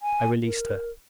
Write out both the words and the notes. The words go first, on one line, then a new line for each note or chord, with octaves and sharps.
I released her.
G#5
A#4